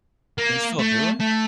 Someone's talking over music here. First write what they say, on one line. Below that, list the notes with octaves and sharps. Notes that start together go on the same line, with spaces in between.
they still do it?
A#3
A3
A3